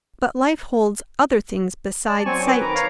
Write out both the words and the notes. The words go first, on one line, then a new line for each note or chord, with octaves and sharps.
But life holds other things beside sight.
D5 A5
F#3 C4 G#5 C#6
B4 D6
D#3 A#5
C#5 F5 A#5